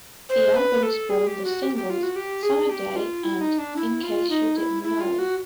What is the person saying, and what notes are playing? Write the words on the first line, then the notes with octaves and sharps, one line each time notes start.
The album spawned the singles "Summer Day" and "In Case You Didn't Know".
C5
B4
A4
G#4
G4
F#4
G4
G4
F4
F#4
G4
G#4
G4
F4
E4
D#4
D4
E4
F4
D#4
E4
E4
F4
F#4